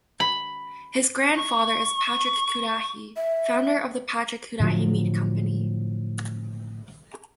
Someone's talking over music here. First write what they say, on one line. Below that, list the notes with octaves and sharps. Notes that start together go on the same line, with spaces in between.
His grandfather is Patrick Cudahy, founder of the Patrick Cudahy meat company.
B5
C#6
E5
A2 D3 F3 F#3